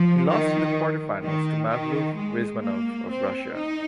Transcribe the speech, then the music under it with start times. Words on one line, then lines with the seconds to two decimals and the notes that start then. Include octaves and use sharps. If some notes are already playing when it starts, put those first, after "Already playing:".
He lost in the quarterfinals to Mavlud Rizmanov of Russia.
Already playing: F3
0.29 D#3
1.22 D#3
1.69 D#3
2.15 G#3
2.62 A#3
3.09 C4
3.55 D#4